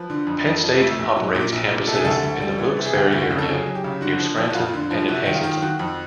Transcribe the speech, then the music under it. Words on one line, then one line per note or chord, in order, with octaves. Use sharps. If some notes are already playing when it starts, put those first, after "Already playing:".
Penn State operates campuses in the Wilkes-Barre area, near Scranton and in Hazleton.
Already playing: F3 B4
D3
F2
F2
F3
A3
A#1
F#3
A#2
A#1
A#2
C3 A4
G#4
D2 A4
D2
G3
E3
C3
G#4
D2 G4
D2
F#4
C#3
A4
F#3 G#4
F#3
G4
C#3
D3 F#4
F3
F3
F#4
F2 F4
D3
F3
C3 F#4
D#3
F4
D#3
D#3 F#4
F2